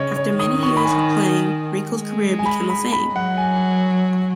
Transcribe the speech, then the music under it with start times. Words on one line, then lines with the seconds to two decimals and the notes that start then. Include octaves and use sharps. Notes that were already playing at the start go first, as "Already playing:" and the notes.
After many years of playing Rico's career became a fame!
Already playing: C#3 C#5 D#5
0.16 C#5
0.39 D#3 D#6
0.63 C#6
0.77 B5
0.85 G#5
1.77 G#3
2.39 G#5
2.46 B5
2.70 B5
2.93 B5
3.15 F#3 F#5
3.37 G#5